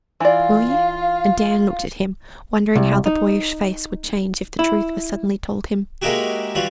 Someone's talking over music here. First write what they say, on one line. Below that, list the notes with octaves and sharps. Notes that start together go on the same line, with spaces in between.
'Will you?' and Dan looked at him, wondering how the boyish face would change if the truth were suddenly told him.
E3 F4 D5 F5
C2
D#4
E4
G#3 A#3 D#4 E4 F#4 G4
E3 G3 F4 F#4